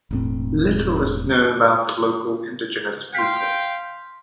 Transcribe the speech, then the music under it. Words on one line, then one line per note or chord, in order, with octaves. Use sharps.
Little is known about the local indigenous people.
E1 A2 C4
F5 G5 C6 B6